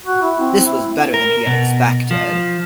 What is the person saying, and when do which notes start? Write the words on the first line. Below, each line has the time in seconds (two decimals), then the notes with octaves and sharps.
This was better than he had expected.
0.06 F#4
0.22 E4
0.40 C4
0.65 E4
1.14 A#4
1.47 B2
2.11 F3